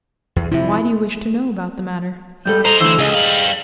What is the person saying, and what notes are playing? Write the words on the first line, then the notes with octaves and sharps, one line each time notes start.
"Why do you wish to know about the matter?" he asked.
E2
C3 F3 E4
G2 G3 A4 G6
A4 C5 D#5 A#5 F7
D2 D3 E3 E4 C5 E6
C#2 G#4 D#5
G3 F5 F#7